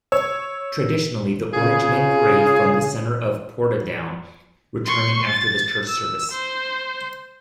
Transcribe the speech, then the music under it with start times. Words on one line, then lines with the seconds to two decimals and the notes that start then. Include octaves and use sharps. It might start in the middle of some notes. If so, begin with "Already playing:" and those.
Traditionally the Orangemen parade from the centre of Portadown, returning after the church service.
0.12 C#5 E6
1.54 C#3 F4 G#4
4.86 C6 C#6
5.28 A6
5.88 E6
6.31 C5